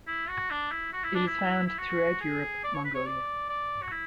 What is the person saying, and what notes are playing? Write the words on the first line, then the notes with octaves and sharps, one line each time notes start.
It is found throughout Europe, Mongolia.
E4
F#4
D4
E4
F#4
E4
D4
E4
E4
F#4
G#4
D5
C#5
B4
C#5
D5
D5
F#4
E4